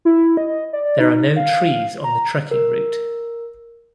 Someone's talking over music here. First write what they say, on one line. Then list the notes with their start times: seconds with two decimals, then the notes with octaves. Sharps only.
There are no trees on the trekking route.
0.05 E4
0.37 D#5
0.73 D5
1.00 D#4
1.36 F5
2.04 A#5
2.51 A#4